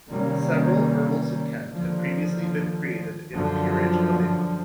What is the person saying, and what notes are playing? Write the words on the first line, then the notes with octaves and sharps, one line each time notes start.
Several Earls of Kent had previously been created in the Peerage of England.
C3 D#3 G3 A#3 C#4
D#2 D3 F3
F#2 D3 F3